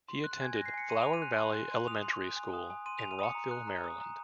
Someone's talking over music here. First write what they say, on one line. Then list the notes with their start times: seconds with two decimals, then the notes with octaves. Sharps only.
He attended Flower Valley Elementary School in Rockville, Maryland.
0.09 C6
0.24 F#6
0.41 G#5 G#6
0.53 F#6 A#6
0.66 C7
0.74 G#5 C#7
0.90 C6 D#7
1.02 G#5 F7
1.13 D#7
1.22 F#6
1.38 C6
1.55 F#6
1.72 C6
1.87 D#6 F7
2.04 C6
2.20 F#6
2.36 G#5
2.54 D#6
2.70 G#5
2.86 C6 D#7
2.98 F7
3.02 G#5
3.11 D#7
3.19 D#6 C#7
3.35 A#5
3.51 F#6
3.67 A#5
3.84 D#6
4.01 A#5